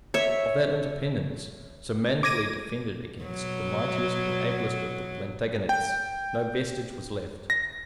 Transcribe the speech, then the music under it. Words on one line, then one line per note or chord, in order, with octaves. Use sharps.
Of that independence, so manfully defended against the mightiest and ablest of the Plantagenets, no vestige was left.
C#5 E5
D6 G#6 A#6 D#7
B2 F#3
G5
A#6